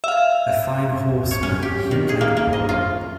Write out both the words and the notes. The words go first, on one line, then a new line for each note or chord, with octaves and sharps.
A fine horseman, he played polo.
E5 F5
C#5
C#4
G4
D#3
G#4
A#3
A#3
D#5
F4